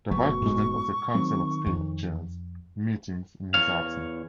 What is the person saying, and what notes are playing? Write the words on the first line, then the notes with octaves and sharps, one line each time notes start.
The Vice-President of the Council of State chairs meetings in his absence.
F#1 B2 F#3 A3 C#6
A2 G#3
D#3 F#3 C4
F2
E2 C#5 F5